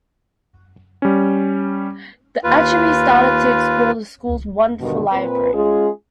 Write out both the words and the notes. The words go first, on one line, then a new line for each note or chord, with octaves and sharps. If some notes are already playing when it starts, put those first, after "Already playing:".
Achebe started to explore the school's "wonderful library".
G3 C#4
D#2 F4 B4
G2 B2 D3 D#3
A#2 C4 B4
G#3 C#4 F4 G#4